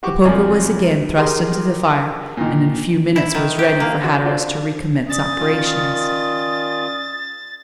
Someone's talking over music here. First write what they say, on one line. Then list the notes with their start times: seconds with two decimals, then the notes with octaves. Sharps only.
The poker was again thrust into the fire, and in a few minutes was ready for Hatteras to recommence operations.
0.03 F#4 G4 C#6 D6
0.25 C2 F3 A3 D5 G#5
1.16 G4 G#4 A#4 D#5 C6
2.37 A#2 D#3
3.16 E4
3.35 D#3
3.59 G4
3.80 A#3
4.02 C#4 F#4 D6
4.24 D4 F4 F#4 A4 C5 D5
5.09 C#4 D5 D#6 A6
5.39 D#3 F4